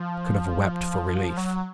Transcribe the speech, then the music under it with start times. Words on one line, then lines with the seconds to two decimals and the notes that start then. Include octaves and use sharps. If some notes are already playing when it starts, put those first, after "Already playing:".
I could have wept for relief.
Already playing: F3
1.37 F#3